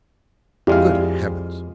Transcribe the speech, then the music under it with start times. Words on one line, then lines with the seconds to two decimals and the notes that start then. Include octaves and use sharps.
Good heavens!
0.67 F2 G#3 E4 G4 D5 F5